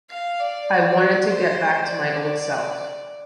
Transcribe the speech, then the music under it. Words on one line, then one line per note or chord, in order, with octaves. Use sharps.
I wanted to get back to my old self.
F5
D5
C5
D5